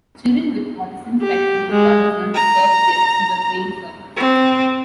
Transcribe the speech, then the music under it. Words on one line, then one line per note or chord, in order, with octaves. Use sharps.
Children with autism spectrum disorders learn to surf with the assistance of trained surfers.
G4
G#3
A#5
C4